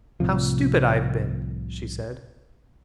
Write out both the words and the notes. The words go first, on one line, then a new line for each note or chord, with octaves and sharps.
"How stupid I have been," she said.
C2 A2 C3 F3